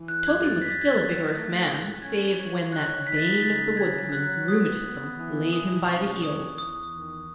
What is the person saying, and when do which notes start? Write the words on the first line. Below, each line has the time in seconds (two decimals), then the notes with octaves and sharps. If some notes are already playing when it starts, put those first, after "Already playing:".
Toby was still a vigorous man save when that bane of the woodsman, rheumatism, laid him by the heels.
Already playing: E3
0.08 F#6
0.26 F#2 G#6
0.44 A6
0.61 D#2 B6
0.71 A6
0.79 G#6
0.89 A6
0.97 F#3
1.32 A3
1.67 A2
2.02 C#4 G#6
2.37 C#5 G#6
2.72 D#4 F#6
3.07 D#4 B6
3.16 A6
3.26 B6
3.43 C#3 A6
3.77 F#3 G#6
4.12 F#3 F#6
4.47 B3 D#6
4.82 B3
5.17 E3
5.53 B2 D#6
5.88 C#4 C#6
6.23 E3 D#6
6.58 E2 D#6
6.93 D#3